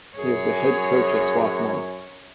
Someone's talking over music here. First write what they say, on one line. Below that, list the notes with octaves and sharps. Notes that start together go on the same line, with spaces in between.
He is the head coach at Swarthmore.
F#2 G#4 C#5